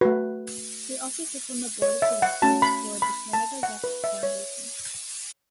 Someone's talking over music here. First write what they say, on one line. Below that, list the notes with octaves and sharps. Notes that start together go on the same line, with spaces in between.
She also sits on the Board of Directors for the Canada West Foundation.
A3 F#4 B4
C#5
E5
F#5
A3 C#4 F#4 A5
B5
B5
A5
F#5
B4
E5
C#5